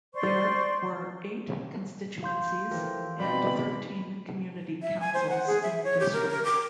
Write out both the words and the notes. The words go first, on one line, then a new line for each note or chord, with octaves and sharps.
There were eight constituencies and thirteen community councils in the district.
C5 D5 C6 C#6
F5 C6 G6
E3 F3 G4 A4 A#4
B2 G3 C4 D#4 D5 B5
E5
G#5
C5
F#5
G#4
E5
C#5
G4
A#4
A#4
D6